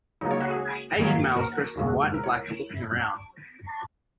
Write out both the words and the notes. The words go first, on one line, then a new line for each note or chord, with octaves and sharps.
Asian males dressed in white and black are looking around.
C#2 C#3 F#3 A#3 D#4
C#5
F#4
G#4
F#2 D#3 F#3 A#3
A#4
D#2 C#3 G#3
A#4
C#5